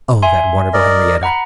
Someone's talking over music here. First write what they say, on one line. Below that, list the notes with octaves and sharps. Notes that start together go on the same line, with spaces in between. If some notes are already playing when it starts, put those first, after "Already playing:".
Oh, that wonderful Henriette!
E5 G#5 C6
A#4 D5 D#5
F#5 A#5 B5